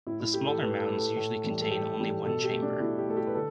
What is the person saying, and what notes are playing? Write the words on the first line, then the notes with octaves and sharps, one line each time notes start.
The smaller mounds usually contain only one chamber.
A2 E4
E4
A3 G4
A4
A2 B4
A4
A3
A4
A2
E3 G3
A4
A2 G4
E3 G3
B2 A4
G4
A3
D4
B2 E4
G4
A3 A4
G4
B4
D3 A4